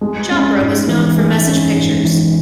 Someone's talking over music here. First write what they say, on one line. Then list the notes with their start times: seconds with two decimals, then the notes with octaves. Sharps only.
Chopra was known for message pictures.
0.01 G#3
0.31 C#4
0.60 G#2
0.88 E3
1.18 G#3
1.47 C#4
1.75 G#2
2.05 E3